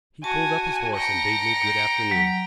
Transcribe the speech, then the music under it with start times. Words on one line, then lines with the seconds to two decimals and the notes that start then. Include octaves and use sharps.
He pulled up his horse and bade me good-afternoon.
0.24 F#4 G#5 A5
0.96 G5 A#5 A#6 C#7
2.11 F#3